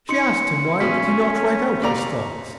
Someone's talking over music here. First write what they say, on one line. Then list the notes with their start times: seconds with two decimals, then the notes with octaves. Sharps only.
She asked him why did he not write out his thoughts.
0.09 D#4 C6 C#7
0.80 G#1 B2 C#4 B6
1.82 D#2 D5 A#5